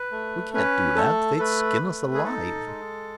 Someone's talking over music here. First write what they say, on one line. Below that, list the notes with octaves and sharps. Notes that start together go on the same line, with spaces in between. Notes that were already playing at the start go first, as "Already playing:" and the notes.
We can't do that, they'd skin us alive.
Already playing: B4
A3
C#4 B4
A3 A4
A3 B4
A3
G#4
D#4 A4
G#3